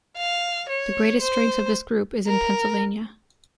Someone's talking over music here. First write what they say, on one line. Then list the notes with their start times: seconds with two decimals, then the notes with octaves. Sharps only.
The greatest strength of this group is in Pennsylvania.
0.17 F5
0.69 C#5
1.22 C5
2.28 A#4